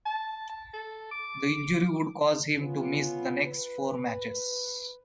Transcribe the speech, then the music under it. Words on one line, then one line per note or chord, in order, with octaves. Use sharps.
The injury would cause him to miss the next four matches.
A5
A5
A4
D6
B3 C#4 F4
B4